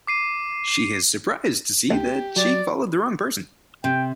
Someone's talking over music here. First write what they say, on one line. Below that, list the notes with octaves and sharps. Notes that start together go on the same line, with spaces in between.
She is surprised to see that she followed the wrong person.
D6 C7 D#7
D2 G4
F#3 D5
C3 G5